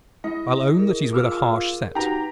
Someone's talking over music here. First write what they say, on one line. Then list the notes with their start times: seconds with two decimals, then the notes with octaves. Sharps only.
I'll own that he's with a harsh set.
0.24 G#3 E4 D#5
0.77 G#4 A#4
1.13 F4 D6 E6 F6
1.95 D#4 F#4 G4 B4 A#5